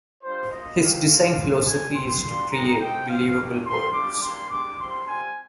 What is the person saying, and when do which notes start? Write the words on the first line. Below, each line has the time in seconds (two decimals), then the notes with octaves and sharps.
His design philosophy is to create believable worlds.
0.23 G3 D4 F4 C5
0.51 A#3 F4 D#5
0.80 G3 C4 D#4 G4 F5
1.09 G3 D4 F4
1.37 C4 F4
1.65 A#3 D4 F4 G#5
1.94 C4 G4 C6
2.23 G3 A#3 D4 F4
2.51 G#3 D#4 G4 A#5
2.79 G#3 C4 D#4 G4 G5
3.08 C4 F4 F5
3.37 A#3 D4 G4
3.64 G3 C4 F4 C6
3.92 G3 D4 F4 D6
4.21 G3 A#3 D4 G4 C6
4.49 G#3 D4 G4 D6
4.78 G3 C4 F4 C6
5.06 G3 C4 F4 G#5